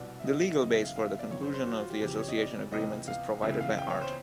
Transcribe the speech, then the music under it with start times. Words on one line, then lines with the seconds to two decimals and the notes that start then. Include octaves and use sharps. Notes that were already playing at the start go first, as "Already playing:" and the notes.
The legal base for the conclusion of the association agreements is provided by art.
Already playing: C2 B2 D5
0.20 E5
0.25 D#5
0.37 E5
0.49 E5
0.61 F#2 C#3 E3 D#5
0.72 E5
0.84 F5
0.96 F5
1.08 E5
1.19 D5
1.31 F#2 D#3 C#5
1.43 C5
1.54 C5
1.66 F#4
1.78 F4
1.90 G4
2.02 F2 C#3 E3 G4
2.19 C#5
2.28 D#5
2.37 D5
2.72 C#2 C3 E3 D#5
3.08 F5
3.42 C#2 C#3 E3 E5
3.61 F5
3.78 G5
3.90 C#5
4.02 C5